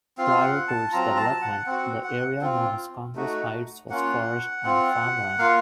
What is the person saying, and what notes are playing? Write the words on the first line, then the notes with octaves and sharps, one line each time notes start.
Prior to its development, the area known as Congress Heights was forest and farmland.
C4 F4 F5
F#5
A5
F#3 C4 F4 A#5
A5
F#5
C4 F#4 F#5
F#5
C4 F4
A3 D#4 F#4
A#3 C#4 F4 F#5
C4 F4
A#3 F4 F5